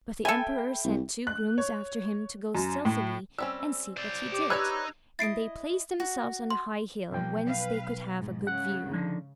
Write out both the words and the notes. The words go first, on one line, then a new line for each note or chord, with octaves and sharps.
But the emperor sent two grooms after him to go stealthily and see what he did, and they placed themselves on a high hill whence they could have a good view.
A4 E5 G5 G#5 B5
C2
F#6
C#5
F#2
A2
G3 C4 C#4 E6
C5 D5
G4 D6
D#4 B4 C#5 D5 E6 F#6 G#6
E4 D#5 A6 C7 D7
F#4
C6
B1 F3 A#3 G5
B4 F5
G#2 F3
C#3 F#5
D3 F3 D#4